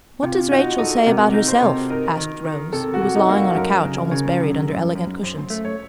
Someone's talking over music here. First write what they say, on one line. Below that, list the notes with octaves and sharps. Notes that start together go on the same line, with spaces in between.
"What does Rachel say about herself?" asked Rose, who was lying on a couch almost buried under elegant cushions.
C3 F4
D#4 F#4
D#4 A4
C3 A#4
D#4
C5
C3
D#4 A#4
D#3
D#3
C3 A4
F#4
C3
D#4
A#3
F#4
F#2 A#4
C#3
C#3
F#2
F#2
F#2
F#2 C5
A3
C#5